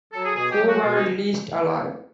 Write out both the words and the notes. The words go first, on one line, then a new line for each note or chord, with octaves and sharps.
Four were released alive.
F#3 A4
G#4
B2 G#4
G4
F#3
F#4
B2 F4
D#4